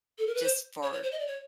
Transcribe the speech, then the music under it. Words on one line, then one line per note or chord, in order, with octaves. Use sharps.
just for
A4
A#4
B4
C5
C#5
C#5
C5
D#5
D5
C#5